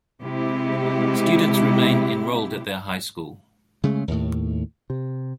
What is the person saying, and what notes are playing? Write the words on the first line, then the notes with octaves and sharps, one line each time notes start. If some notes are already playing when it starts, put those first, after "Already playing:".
Students remain enrolled at their high school.
C3 G#3 E4 G4
C#3 G#3 A3
D#2 A2
C3